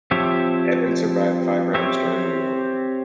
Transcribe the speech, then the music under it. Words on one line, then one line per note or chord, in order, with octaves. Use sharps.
Evans survived five wounds during the war.
F3 C4 G4 C#5 E5
C4 G4 C#5 E5